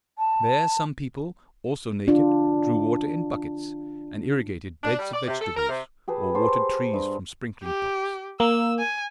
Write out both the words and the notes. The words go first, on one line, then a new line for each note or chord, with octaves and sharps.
There some people, also naked, drew water in buckets, and irrigated beds of vegetables, or watered trees from sprinkling-pots.
A5
D4 F4
D4
G3
D5
C3
A4
A#4
C3
G4 G#4 B4 A5
G4 C5 A5 C#6
G2
G4
A#3 E6
G#5